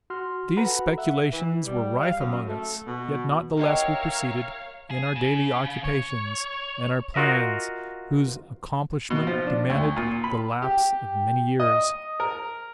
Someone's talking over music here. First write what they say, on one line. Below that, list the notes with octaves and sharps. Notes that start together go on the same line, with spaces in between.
These speculations were rife among us; yet not the less we proceeded in our daily occupations, and our plans, whose accomplishment demanded the lapse of many years.
F#4 C6 F6
F#4 A4 B4 F#5 A#5 B5
E5 F#5
E3
G3
F5
F#2
A3
B2
D#4 F#4 G4 A#4 C#5 E5 F5
G#4
C#3
C#5
F4 F#4 A#4 D#5 E5
B2
F3
D4
D2
A#2
B5
G4
D#5
A#4